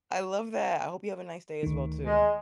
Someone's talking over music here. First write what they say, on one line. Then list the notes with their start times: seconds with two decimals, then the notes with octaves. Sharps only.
I love that, I hope you have a nice day as well, too.
1.63 D2 D#3
2.06 G#3